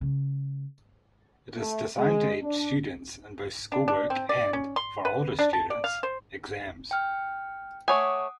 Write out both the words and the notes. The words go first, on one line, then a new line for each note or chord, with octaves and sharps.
It is designed to aid students in both schoolwork and, for older students, exams.
C#3 G#3
A3
G#3
D4
D4
D4
C4
D5
C#4
C6
B4
D4
A5
D5
F5
C5
G5 F6
A3 C#5 F#5 G#5 D6 D#6